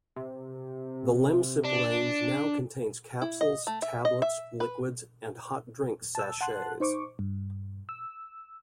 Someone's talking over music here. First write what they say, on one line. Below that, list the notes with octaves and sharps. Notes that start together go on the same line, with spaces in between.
The Lemsip range now contains capsules, tablets, liquids, and hot drink sachets.
C3
D4
E4
D#5
A3
E5
D#5
E5
B4
A5 E6
F#5 A5 C6 F#6
D#4 C5 C#6 D6
G2
E6